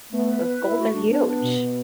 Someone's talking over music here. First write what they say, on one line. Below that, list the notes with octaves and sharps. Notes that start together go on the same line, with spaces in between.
Those goals are huge.
A3 B3
B4
B4
E4
A3 F#4
D4
B3 D4
D4
B2
B2